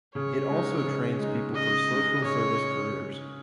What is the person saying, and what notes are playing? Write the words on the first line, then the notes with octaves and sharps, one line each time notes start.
It also trains people for social service careers.
C#3 C#5
G#3 D#4
C#3
G#3 D#4
C#3 D#5
G#3 D#4
C#3 C#5